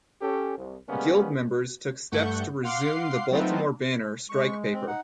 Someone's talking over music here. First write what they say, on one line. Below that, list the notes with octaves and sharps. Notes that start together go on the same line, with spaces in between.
Guild members took steps to resume the "Baltimore Banner" strike paper.
C#4 G4 A4
C2
C#3 G3 G#3 A#3 B3 C#4
G2 A3 F#5 C#6 G6
F5 F#5 C6 D6 C7
F#3 A3 B3 C4 D#4 F4
G#3 C#6
C4
D#4 F#5